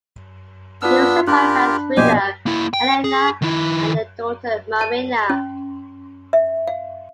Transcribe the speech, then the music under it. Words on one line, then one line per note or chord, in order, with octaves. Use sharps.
He was survived by his widow Elena and their daughter Marina.
B3 D4 F4 E6 F6
D4 F4 G4 A#4 B5 F#6
A#1 B2 G4 C5 D#5 G#5
A#3 E4
G5
G#4
D#3 E4
A5
C#4
E5
F5